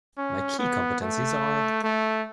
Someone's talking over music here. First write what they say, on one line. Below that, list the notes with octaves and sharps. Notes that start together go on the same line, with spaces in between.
My key competencies are...
C#4
B3
A3
A3